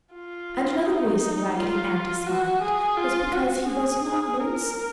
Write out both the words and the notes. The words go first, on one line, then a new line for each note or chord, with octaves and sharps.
And another reason Raggedy Andy smiled was because he was not lonesome.
F4
D#4
F4
F4
F#4
G#4
F4
F#4
G#4
A#4